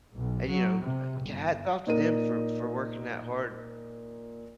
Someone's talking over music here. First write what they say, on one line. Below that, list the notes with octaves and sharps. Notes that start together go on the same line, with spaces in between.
and you know, uh, hats off to them for for working that hard,
B1
F#3
C3
G1
A#2 D#4 A#4 D#7